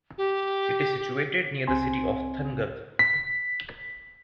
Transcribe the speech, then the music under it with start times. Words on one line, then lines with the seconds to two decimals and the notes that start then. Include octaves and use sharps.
It is situated near the city of Thangadh.
0.18 G4
1.67 C2 C4 G#5 C6
2.99 B6